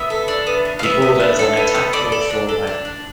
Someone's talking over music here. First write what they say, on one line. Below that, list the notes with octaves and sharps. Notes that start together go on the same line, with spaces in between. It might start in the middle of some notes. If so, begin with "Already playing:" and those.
The Order then attacked all four men.
Already playing: B3 E5
A4
D4
B3
B3
F5
B3 E5
B3
D4
A4
B3
B3
A4 D5
A4
D4
A4
D4
D4